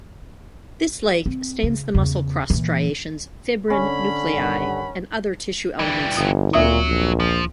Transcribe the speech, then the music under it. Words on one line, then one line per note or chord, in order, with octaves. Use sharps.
This lake stains the muscle cross striations, fibrin, nuclei, and other tissue elements blue.
C4
C#3
E2 C#3
A#2 E3
D3 C#4 B5
G2 D#3 F#5
E3 G3
G1 D#6
D2 A#2 F#3 E5 D#6
A#1
F3